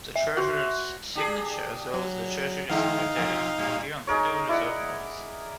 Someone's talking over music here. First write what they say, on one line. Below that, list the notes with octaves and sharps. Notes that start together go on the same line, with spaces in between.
The Treasurer's signature, as well as the Treasury Secretary's, appear on Federal Reserve Notes.
E5
F#4 C5
D4 G4 G#4
F#3
D3 G#3 C4 D#4 F5
B2 F3
A2 G3
D#4 G#4 A#4 C#5
E4 D5 D#5 F#5